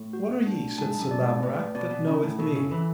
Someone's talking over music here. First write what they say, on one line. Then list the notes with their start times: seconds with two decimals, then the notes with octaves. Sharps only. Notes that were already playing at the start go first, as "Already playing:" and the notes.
What are ye, said Sir Lamorak, that knoweth me?
Already playing: A2
0.13 F#4
0.47 D4
0.78 G#2 A5
1.00 F#2
1.11 D5
1.21 G#2
1.43 A2 B4
1.55 G#2
1.59 A2
1.75 B2 D5
1.91 B2
2.07 C#3 E4
2.23 A2
2.39 B2 A4
2.55 C#3
2.71 E3 E4